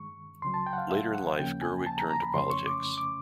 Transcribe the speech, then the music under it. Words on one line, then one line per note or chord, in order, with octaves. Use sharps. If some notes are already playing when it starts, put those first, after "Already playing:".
Later in life, Gerwig turned to politics.
Already playing: G2 D#3 G#3 C#6
C#2 C#3 F#3 C6
A5
G5
F#5
F5
E5
F#5
D#2 C#3 F3 A#3 C#4 G5
G#5
A5
A#5
A#5
B5
F2 C#3 E3 A3 C#4 C6
C#6
D6
D6